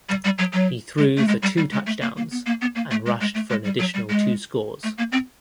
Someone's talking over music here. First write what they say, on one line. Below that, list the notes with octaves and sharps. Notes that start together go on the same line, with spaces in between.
He threw for two touchdowns and rushed for an additional two scores.
G3
G3
F#3
F#3
G#3
A3
G#3
G3
G3
G#3
A3
A#3
A#3
B3
A#3
B3
A#3
A3
G#3
G#3
A3
G#3
G3
F#3
G3
G#3
A3
A#3
C4